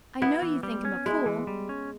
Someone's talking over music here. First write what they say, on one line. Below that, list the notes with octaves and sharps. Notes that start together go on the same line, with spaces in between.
"I know you think him a fool."
B3 E4
E3
G3
C#4
G#3 E4
E3
G3
C#4